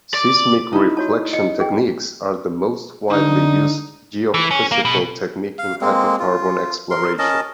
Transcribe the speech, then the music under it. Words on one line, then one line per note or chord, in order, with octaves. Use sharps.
Seismic reflection techniques are the most widely used geophysical technique in hydrocarbon exploration.
D5
D#4 E4
F#4 C#5 A5
D#5 C#7
G#4 G5
D3 D#4
E3
C#4
A#3
B2
F5
G#3 A#3 C4
F4
A#4 C6
C#4 A#4 D#5 A5